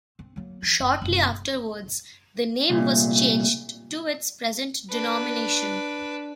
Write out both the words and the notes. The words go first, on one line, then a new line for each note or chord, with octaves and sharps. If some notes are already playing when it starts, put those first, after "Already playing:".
Shortly afterwards, the name was changed to its present denomination.
C4
F#3 A#3
E3
F#1
F#1 C3
C2 A#2
D4 B4